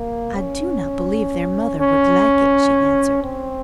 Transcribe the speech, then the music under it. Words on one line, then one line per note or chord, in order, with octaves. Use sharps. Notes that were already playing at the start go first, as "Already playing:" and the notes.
"I do not believe their mother would like it," she answered.
Already playing: A#3
C#4
C#4
C4